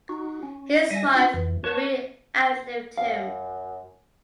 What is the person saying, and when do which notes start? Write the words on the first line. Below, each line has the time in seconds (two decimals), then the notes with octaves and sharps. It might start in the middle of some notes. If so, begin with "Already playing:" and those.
His wife Marie outlived him.
0.09 D#4 F#4
0.43 C#4
0.91 G3 E5 G#5 A#6
1.15 C4 D4 F4
1.34 F2 E3
1.64 B4 C#5 A5 C#6
2.97 F#2 F5